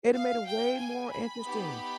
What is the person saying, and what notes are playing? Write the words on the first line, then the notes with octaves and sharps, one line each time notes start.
it'd a made it way more interesting
F5
G5
G#5
B5
B3 D#4 G4